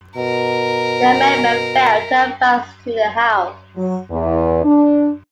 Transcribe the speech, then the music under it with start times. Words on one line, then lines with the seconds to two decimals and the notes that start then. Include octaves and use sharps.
The amendment failed to advance to the House.
0.17 B2 A#4
3.77 F#3
4.11 E2
4.65 D4